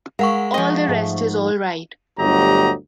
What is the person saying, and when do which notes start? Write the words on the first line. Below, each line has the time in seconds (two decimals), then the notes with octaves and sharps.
All the rest is all right.
0.19 G#3 A#4 F5 F#5 C#6
0.54 F3 D#5
0.88 G#2 A3
2.19 G1 D2 F#3 G4 D#5 A#5